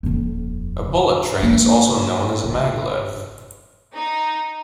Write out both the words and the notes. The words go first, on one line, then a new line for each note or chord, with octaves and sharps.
A bullet train is also known as a maglev.
D#1 F2
G#3 A#3
A#1 A#2
D#4